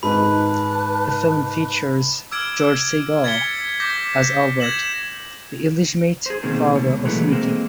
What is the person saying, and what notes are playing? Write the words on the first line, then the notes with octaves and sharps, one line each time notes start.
The film features George Segal as Albert, the illegitimate father of Mikey.
G#2 D#3 B4 A5 B5
D6 E6 F6 G#6 D7
G#6 A6 B6 C#7 G7
D6 G6 A#6 B6
G#6 A#6 E7 F#7
G#4 C5
B2 D#3 A#3 C4 G#4
C#2 B2
A#2 E3 F#3 G#3 A3
G#3 A#3 C4